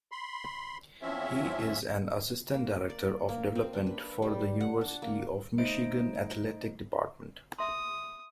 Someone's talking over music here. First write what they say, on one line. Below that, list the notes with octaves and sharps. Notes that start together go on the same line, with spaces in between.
He is an Assistant Director of Development for The University of Michigan Athletic Department.
B5 C6
E2 F3 C4 C#4 E5
A#3
D5
A#3
C4
D4
B4
G3
F#5
D4
A#3
A3 D#4 C5 D#5 D7
E5 C6 D#6